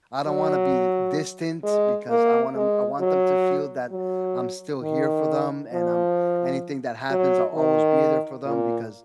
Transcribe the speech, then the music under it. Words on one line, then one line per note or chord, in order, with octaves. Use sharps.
I don't wanna be distant, because I want 'em I want them to feel that I'm still here for them, and, um, anything that happens I'll always be there for them, because
F#3
G#3
A#3
G#3
F#3
F#3
D#3
F3
F#3
D#3
A#2